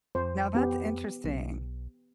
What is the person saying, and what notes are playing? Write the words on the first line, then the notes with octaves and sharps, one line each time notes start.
Now that's interesting.
F2 C5
B3 G4
B1